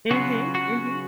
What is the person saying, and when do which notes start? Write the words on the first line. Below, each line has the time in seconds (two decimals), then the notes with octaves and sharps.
Mhm, mhm.
0.11 C#3 F#3 B3 F4 F#4
0.55 F#4